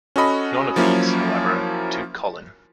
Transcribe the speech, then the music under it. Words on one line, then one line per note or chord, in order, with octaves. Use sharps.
None of these, however, took Colin.
C#4 F#4 A4 D#5 B5
F3 F#3 A#3 C#4 E4